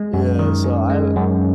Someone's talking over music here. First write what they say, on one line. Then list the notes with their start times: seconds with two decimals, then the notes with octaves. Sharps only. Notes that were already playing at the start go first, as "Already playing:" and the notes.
yeah, so, I, w
Already playing: G#3
0.14 F#2
0.39 D#3
0.64 C#4
0.90 G#3
1.16 F#2